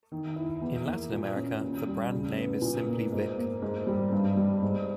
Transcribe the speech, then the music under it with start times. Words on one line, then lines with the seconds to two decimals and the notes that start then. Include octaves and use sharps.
In Latin America, the brand name is simply Vick.
0.12 D#3
0.36 E4
0.61 E2
0.87 A#3
1.12 A#2
1.36 C#4
1.62 D#2
1.87 G3
2.12 C#3
2.37 B3
2.62 A#2
2.87 A#3
3.12 G#2
3.38 A#3
3.62 G#2
3.87 G3
4.12 G2
4.37 G3
4.62 G#2